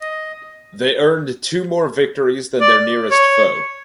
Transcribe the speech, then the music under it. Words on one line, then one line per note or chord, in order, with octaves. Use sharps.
They earned two more victories than their nearest foe.
D#5
D5
C#5